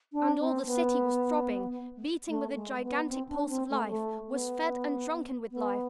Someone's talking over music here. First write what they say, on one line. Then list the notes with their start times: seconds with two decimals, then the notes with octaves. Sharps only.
And all the City was throbbing, beating with a gigantic pulse of life--was fed and drunken with life.
0.13 D4
0.40 C4
0.66 B3
2.28 A3
2.56 G#3
2.82 B3
3.09 C4
3.29 D4
3.50 C4
3.70 A3
3.89 A3
4.30 B3
5.51 B3